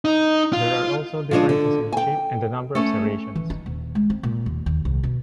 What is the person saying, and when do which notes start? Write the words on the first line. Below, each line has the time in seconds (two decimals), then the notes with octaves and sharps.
There are also differences in shape and the number of serrations.
0.05 D#4
0.53 F4
1.31 F3 G#3 D4 C#5 D#5
1.49 D3
1.92 G5 G#5
2.75 A3 C#4
3.35 E3
3.50 D#4
3.66 D#1
3.95 G#3
4.10 C4
4.23 A#2
4.46 D#2
4.66 D#2
4.85 C2
5.03 B2